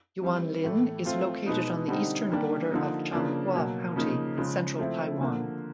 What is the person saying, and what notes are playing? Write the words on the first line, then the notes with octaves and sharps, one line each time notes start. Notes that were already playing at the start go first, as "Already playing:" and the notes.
Yuanlin is located on the eastern border of Changhua County, in central Taiwan.
E3 G3 C4
A2 E3 A3
A3 C4 F4
B2 G#3 B3 D#4
D3 G3 C4 D#4
D#3 G3 A#3 D4 G4
D3 F3 A#3 D#4
C#3 F3 A#3 D4
B2 F#3 A#3
C#3 F3 A#3 D#4
C#3 F3 G#3
F3 A3 C4 E4
D3 F3 A#3